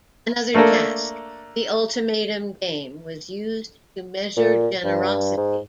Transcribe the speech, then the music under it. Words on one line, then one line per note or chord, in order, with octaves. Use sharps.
Another task, the Ultimatum Game, was used to measure generosity.
A3 A#3 D4 A4 A#4
A#2
G2
G#2